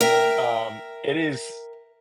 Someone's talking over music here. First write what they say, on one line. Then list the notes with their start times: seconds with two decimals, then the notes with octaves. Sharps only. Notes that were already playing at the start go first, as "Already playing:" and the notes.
Um, it is
0.01 A#4 E5 G5